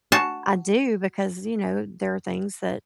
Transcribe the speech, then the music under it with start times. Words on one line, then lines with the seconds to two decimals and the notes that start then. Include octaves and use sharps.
I do because, you know, there are things that
0.12 F#4 A5